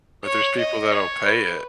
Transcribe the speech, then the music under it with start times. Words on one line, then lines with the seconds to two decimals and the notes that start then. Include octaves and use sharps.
But there's people that'll pay it,
0.25 C#5
0.58 D#5
0.91 C#5
1.25 B4